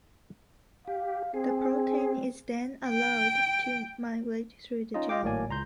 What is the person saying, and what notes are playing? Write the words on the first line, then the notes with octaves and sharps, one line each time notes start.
The protein is then allowed to migrate through the gel.
G4 F5
C4 G#4
G5
C#4 D#4 F4 D#5
F4 D#5 F5 G5 D6
G#1 A2 F#3 A#3 D5 G#5
C#2 A#5 C6 G6